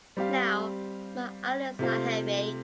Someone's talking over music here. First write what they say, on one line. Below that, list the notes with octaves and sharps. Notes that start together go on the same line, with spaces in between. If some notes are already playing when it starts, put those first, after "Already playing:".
Now my eyelids are heavy.
G3 C4 G4 F5
C3 A3 F4 C5 F5